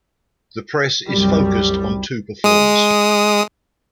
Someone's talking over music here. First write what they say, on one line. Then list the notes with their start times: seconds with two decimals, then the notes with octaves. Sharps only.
The press focused on two performers.
1.08 C2 F#2 G3
2.44 G#3 D#6